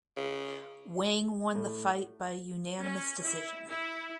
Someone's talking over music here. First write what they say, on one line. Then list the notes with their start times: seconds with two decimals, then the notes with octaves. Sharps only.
Wang won the fight by unanimous decision.
0.17 C#3
1.55 A2
2.80 C#4
3.23 E4
3.69 E4